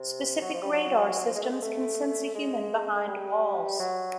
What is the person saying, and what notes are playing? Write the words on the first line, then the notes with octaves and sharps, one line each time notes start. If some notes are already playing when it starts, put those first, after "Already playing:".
Specific radar systems can sense a human behind walls.
Already playing: C3
F#3
F3
G3
F#3
F3
G#3
A3
G#3
A3
G#3
G3
F#3